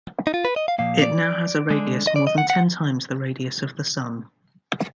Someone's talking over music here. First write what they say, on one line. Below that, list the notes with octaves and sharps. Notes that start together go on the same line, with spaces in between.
It now has a radius more than ten times the radius of the Sun.
D#4
F4
B4
D#5
F5
A#2 F3 A#3 F5
D5
D3 G#3 D4
D#5
D5
D#5
F#5
F#5